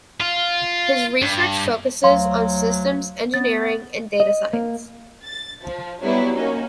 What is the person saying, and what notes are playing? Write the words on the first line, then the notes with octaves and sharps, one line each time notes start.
His research focuses on systems engineering and data science.
F4
G2
D2 F#3 F5 C6
B3 A6
D#5
A#3
A6
F3
F#3 G3 B3 E4 B4
A#3 C#4 D#4 F#4